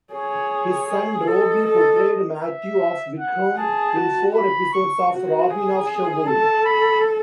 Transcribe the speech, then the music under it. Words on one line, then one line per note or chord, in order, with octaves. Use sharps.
His son Robbie portrayed Matthew of Wickham in four episodes of "Robin of Sherwood".
G#4 C#5
G#4
A4 D#5
A4
E5
F#5
G#4 A5
F#4
B5
C#6
F#4
G#4
A4 A5
B5